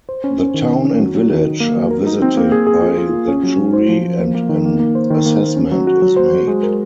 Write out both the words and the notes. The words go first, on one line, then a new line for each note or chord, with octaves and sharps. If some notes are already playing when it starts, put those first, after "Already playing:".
The Town and Village are visited by the Jury and an assessment is made.
C5
C#4
C#4
D#3
C#4
C#4
F#3
F#3
D#3
D#4
A#3
F#3
A#4
D#4
C4
A#3
G#4
G#4
F4
F4
A#3
C#4
F#3
F#3
C5
F3
F3
A#3
A#3
D#3
A#3
A#3
C5
D#3
A#3
A#3
C#4
F#3
F#4
F#3
C5
F#3
G#3
A#4